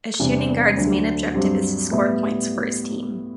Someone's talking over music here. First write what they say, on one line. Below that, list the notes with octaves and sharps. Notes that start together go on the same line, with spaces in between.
A shooting guard's main objective is to score points for his team.
E2 C3 G3 D4
D2 D3 F#3
G2 F#3 C4 G4
A2 G3 B3 E4